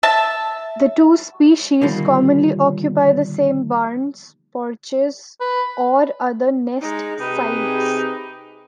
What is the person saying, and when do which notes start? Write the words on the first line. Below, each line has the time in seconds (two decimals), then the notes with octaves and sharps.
The two species commonly occupy the same barns, porches, or other nest sites.
0.03 E5 A5
1.81 B2 D3 D#3 F3 G3 A#3
5.40 B4
6.81 G#3 D#4
7.20 C3 C4 D#4 G4 G#4 B4